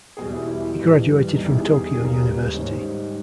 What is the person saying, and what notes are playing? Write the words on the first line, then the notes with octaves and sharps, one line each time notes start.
He graduated from Tokyo University.
E2 B2 G3 G#4
E4
E4
G2 E3 G3
E2 D#3 G3 D#4
E4
G#4
G#4
D#2 C#3 G3 G#4
A#4
B4
G#2 D#3 G3 C#5